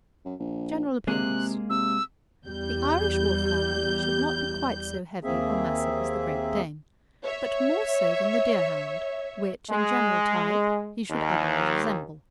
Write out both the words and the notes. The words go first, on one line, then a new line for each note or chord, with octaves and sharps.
GENERAL APPEARANCE--The Irish Wolfhound should not be quite so heavy or massive as the Great Dane, but more so than the Deerhound, which in general type he should otherwise resemble.
F#2
A#1
C3 G#3 A#3 G#4 F#6
C3 E6
E2 G3 G6
D#2 A#3 C4 G#4 E5
C#5 E5
G#3
D#2